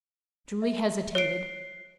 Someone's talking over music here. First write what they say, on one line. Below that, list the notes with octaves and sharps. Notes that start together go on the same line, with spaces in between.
Julie hesitated.
E5
C#5 F#6 C7 D7